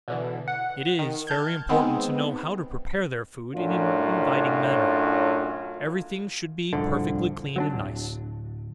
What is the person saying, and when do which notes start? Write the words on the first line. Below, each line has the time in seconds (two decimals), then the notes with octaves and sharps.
It is very important to know how to prepare their food in an inviting manner; every thing should be perfectly clean and nice.
0.08 B2 D3 E3
0.48 F#5
0.99 D#3
1.27 A5 F6 G6 G#6
1.69 D#3 G#3 B3 C4
3.54 F#2 A2 D4 F4
6.73 D1 C2 F2 D3
7.56 F#3 C4 D4
7.73 D1